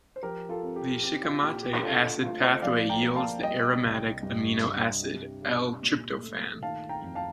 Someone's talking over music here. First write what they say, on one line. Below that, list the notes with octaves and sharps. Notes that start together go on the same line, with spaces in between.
The Shikimate acid pathway yields the aromatic amino acid, L-tryptophan.
C5
F3 G4 A#4
F4 A4
C4
G4
C4 G4
F4
A#2 G4
G4
D3 F4 A4
A3 F4
C5 D#5
F3 D5 F5
G5 A#5
A#3
F5 A5
G3 D#5 G5
C2
G2
G2
C3
C3
A#2
A3
D#3 F5 A5
G5 A#5
F2
F5 A5